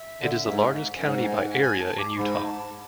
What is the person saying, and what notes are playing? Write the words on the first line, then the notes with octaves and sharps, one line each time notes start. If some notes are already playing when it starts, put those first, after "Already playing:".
It is the largest county by area in Utah.
Already playing: E5
D3
F#2
G#2
F#2 G#5
G#2 F#5
G#5
F#5
F#5
G#5
A5
D6
G#2 B5
A5